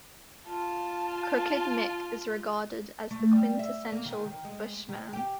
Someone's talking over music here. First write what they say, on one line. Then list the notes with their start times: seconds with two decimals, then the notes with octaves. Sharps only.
Crooked Mick is regarded as the quintessential bushman.
0.47 F4 A5
3.11 A3
3.32 G3
3.59 E5
3.92 A#3
4.05 D#3
4.26 D#3
4.45 G#3
4.89 D#3
5.13 G4